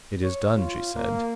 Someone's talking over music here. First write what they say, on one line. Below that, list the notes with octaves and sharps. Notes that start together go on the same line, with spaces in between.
"It is done," she said.
C#5
F4
A#3